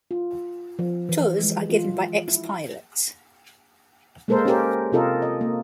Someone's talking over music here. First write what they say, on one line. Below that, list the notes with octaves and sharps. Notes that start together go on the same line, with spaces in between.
Tours are given by ex-pilots.
F4
F3
E3
G#3
F4
E4
G#3 A#3 A4 A#4 C5
C#4 G4 A#4
C3 C4 F4 A4 A#4 D#5
D#5
A#3